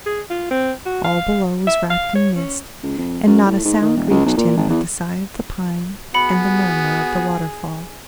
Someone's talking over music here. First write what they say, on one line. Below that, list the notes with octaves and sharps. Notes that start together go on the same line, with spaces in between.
All below was wrapped in mist, and not a sound reached him but the sigh of the pine, and the murmur of the waterfall.
G#4
F4
C4
F#4
F5
E5
F5
C#5
C#4
C#2
F2
F#2
A2
G#2
D#3
E1
C#2
B1
A#2
G#1
E2
B3 F#4 G#4 B5 C#7